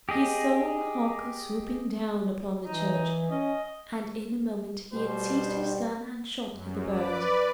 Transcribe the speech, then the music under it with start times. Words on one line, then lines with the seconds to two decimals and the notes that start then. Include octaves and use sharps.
He saw the hawk swooping down upon the church, and in a moment he had seized his gun and shot at the bird.
0.09 G4 G#4 D#5
2.66 E3 D#4
3.30 C#4 D#5
4.93 B2 G3 C5
6.52 F#2
6.87 B4 D5